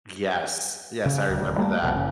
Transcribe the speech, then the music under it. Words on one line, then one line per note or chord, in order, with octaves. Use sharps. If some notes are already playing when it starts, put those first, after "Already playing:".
Yes. Yes, I remember that.
C#3
D#1 D2
G3 A3 A#3
C2 F2 B2
F#1 C#3